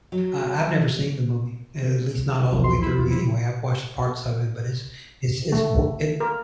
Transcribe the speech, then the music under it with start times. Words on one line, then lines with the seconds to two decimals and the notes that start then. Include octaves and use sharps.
I I've never seen the movie, a at least not all the way through anyway, I've watched parts of it, but it's it's it's bo it
0.12 F#3
2.53 B1 E2 F3
2.64 C6
2.82 E4
2.98 E2 F4
3.10 F3 E4
5.52 A3
6.20 A#4